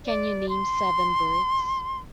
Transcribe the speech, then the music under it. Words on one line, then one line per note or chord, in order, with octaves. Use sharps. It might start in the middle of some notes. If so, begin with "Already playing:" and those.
Can you name seven birds?
D5
C6